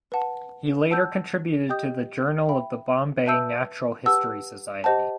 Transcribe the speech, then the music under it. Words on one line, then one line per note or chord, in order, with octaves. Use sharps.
He later contributed to the "Journal of the Bombay Natural History Society".
B4 F#5 A5
F#5 A5 E6 G6
G4 D#5 G5 D#6 G6
E5 G5 B5
B4 E5 A5 E6 G6
G4 B4 F#5 A5 E6
G4 C5 D#5 F#5 A5